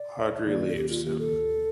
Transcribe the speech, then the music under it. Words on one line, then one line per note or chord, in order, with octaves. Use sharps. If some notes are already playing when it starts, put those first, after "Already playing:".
Audrey leaves him.
Already playing: D5
D#2
D#3 A#3 F4
A4
D#2 G4
F4
D#3 A#3 F4 G4
A4
D2